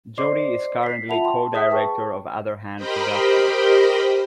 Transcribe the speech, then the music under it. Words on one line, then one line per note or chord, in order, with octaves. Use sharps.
Jodi is currently co-director of Other Hand Productions.
C5 D5 D#5 C6 D6 C7
B6 C7
F4 E5 F#5 A5 B5 F7
G5 A5 C6
G#4 D#5 E5 D#6 B6
G#4 B4 G5 A5 C#6
G4 A#4 C5 D#5 G5 B5